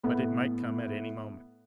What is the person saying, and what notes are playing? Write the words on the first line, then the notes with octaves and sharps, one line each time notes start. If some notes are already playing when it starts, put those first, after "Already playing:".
But it might come at any moment.
A2 B3